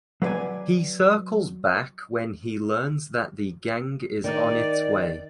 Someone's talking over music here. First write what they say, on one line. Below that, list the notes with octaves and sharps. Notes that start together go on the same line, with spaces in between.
He circles back when he learns that the gang is on its way.
F#3 B4 C5 D5 G#5
D#3 D#4 D5